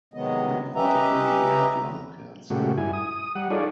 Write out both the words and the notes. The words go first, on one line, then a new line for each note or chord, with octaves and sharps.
Reportedly he had lung cancer.
C3 D#3 F#3 G#3 B3 D#5
C#4 G4 B4 D#5 E5 A#5
A#2 C#3 G#3 A3 F#4 G4
G2 E4 G#5
D#6
G3 F#5
D#4 F4 G#4 A4 C#5 D5